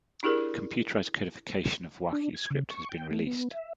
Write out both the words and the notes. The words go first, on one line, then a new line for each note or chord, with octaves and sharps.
A computerized codification of Wakhi script has been released.
D4 E4 G4 G#4 A#4 D5
D4
G#6
C#3
C#6
G5
A3
B3
E5